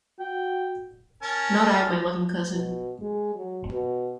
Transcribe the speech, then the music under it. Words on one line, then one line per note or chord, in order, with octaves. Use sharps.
Not I, my loving cousin!
F#4 G5
C#4 A#4 A5
B2
G#3
F#3
B2